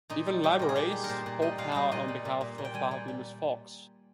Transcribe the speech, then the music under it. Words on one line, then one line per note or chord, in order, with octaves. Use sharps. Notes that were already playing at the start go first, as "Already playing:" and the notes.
Even Liberace spoke out on behalf of the "Fabulous Fox".
A#2 D#4
G3
G3 G4
A#2 A#4
G#4
A#2 G4
G3
A#4
A#2 C5
A#2
G3 D#5
A#2 F5
G3 D#5 F5
A#2 D#5
G3
A#2
A#2
A#2
G5
G3 G#5
G3
G3